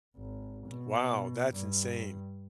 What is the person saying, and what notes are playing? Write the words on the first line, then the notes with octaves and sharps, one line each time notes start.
Wow, that's insane.
G#1
B2
G2